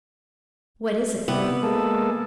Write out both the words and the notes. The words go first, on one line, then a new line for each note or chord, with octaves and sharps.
"What is it?"
C3 G3 B3 E4
G#3 A#3 A4